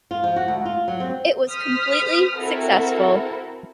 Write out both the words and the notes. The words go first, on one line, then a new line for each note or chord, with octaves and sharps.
It was completely successful.
F4
F3
F#4
D2
F4
F#3
C4
C5 D#6 F6 B6
C4 E4 F#4 A4 A#4